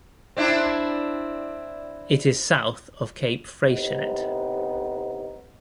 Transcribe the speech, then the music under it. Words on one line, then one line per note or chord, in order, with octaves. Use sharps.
It is south of Cape Freycinet.
C4 D4 E4
A2 C3 B3 D#4